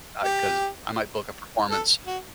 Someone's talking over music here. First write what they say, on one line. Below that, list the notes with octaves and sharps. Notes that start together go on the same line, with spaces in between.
uh, 'cause I might book a performance,
G4
A4
F#4